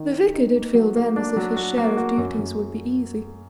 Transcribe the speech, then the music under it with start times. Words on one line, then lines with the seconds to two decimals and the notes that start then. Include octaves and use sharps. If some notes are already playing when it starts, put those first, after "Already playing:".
The Vicar did feel then as if his share of duties would be easy.
Already playing: D#3 D#4
0.14 D#4
0.34 D#4
0.55 A#3
0.74 F#3
0.96 A#3
1.16 D4
1.36 F#3
1.57 F#4
1.77 A#3
1.97 F#4
2.18 F#2
2.39 F#2